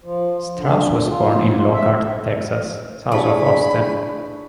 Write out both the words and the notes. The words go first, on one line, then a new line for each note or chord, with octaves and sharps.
Strauss was born in Lockhart, Texas, south of Austin.
F3
D3
F4
E5
D4 E4 G4 G#4 C#5 A5 B5